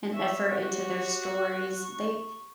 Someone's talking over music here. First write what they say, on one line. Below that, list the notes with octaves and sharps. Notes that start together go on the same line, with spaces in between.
and effort into their stories, they
C#5 E5
F#4 G4 C#5
C#6